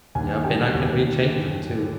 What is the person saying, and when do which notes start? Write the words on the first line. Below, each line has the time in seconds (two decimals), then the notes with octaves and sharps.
Yep, and I can rechange ‘em too.
0.15 D#2 G#5
0.45 D3 G3 G5
0.74 D#2